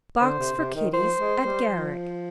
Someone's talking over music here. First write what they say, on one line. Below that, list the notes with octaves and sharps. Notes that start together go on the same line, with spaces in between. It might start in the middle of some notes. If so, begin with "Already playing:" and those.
'Box for kiddies at Garrick.
D3 C5
C3
C3
D#3
F3 C5
G#3
G3
F3